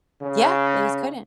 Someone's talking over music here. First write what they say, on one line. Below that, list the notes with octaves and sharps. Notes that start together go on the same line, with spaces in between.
Yeah. They just couldn't.
C#3